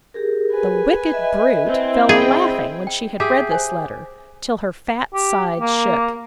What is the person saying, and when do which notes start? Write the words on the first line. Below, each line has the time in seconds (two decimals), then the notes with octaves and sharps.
The wicked brute fell a laughing, when she had read this letter, till her fat sides shook.
0.14 G4 G#4 A#4
0.52 B4 G#5
1.13 D#5 E5
1.67 C4 E4
2.09 G#4 G5 B5
2.87 G5
3.20 G4 G#4 E5
3.51 C5 G#5
5.14 G4
5.60 A#3